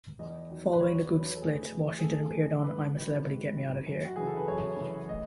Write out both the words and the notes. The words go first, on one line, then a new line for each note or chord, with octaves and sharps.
Following the group's split, Washington appeared on I'm a Celebrity...Get Me Out of Here!
E2 D#5
D#3 F#3
B4
E2 C#5
C#5
D#3 F#3
B4
A4
A2 G#4
E3
G#4
A2 A4
E3
G#2 B4
D#3 F#3
G#2
D#3 F#3
F#2
F#4
C#3 E3 G#4
A4
B4
F#2 C#5
C#3 E3
A2 D#5